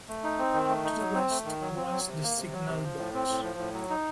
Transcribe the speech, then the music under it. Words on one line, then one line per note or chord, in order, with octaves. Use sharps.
To the west was the signal box.
A3
D#4
C4
D#3
A3
D#4
F#3
C4
A3
D#3
F#3
C4
F#3
C3
A#3
C3
F#3
C3
F3
A2
C4
A2
F3
A2
F#3
D#4